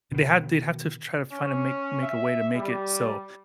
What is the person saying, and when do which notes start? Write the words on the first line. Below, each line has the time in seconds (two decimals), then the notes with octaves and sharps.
they had they have to try to find a make make a way to make it so
0.12 B2 D#3
1.32 C#4
2.03 E5
2.55 G3